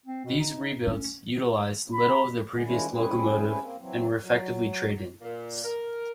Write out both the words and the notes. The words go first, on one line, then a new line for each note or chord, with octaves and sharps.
These rebuilds utilised little of the previous locomotives and were effectively trade-ins.
C4
B2
D#4
G2
C#4
B5
D3 G#3 B3
D#3 F3 G3 G#3 C#4 E4
G3 C4 C#4 E4 G#4 B4
A#3 C4
E3 F#3 C4
F#3
A#2
A#4